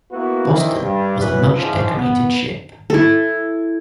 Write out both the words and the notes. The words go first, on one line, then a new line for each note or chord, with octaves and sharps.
"Boston" was a much-decorated ship.
A#3 B3 E4 F#4 B4
D#3 E3 A#3 C4 D4 E4
G2
E3 F#3 C#4 B4
G#2 C#3 E3 F3
B3
E4 A4